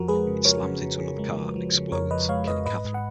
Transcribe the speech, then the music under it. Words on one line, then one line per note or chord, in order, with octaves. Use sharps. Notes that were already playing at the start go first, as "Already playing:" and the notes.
It slams into another car and explodes, killing Kathryn.
Already playing: F2 F3 F#4 A#4
G#3 G#4 B4
C#3
F3 A#4 C#5
C#3
C#3
C#3
G#3
F3
F3
C#3
F2 A#4 C#5
F3 B4 D#5
G#3 C#5 F5
F2 B4 D#5
G#2 B4 D#5
G#2
F#5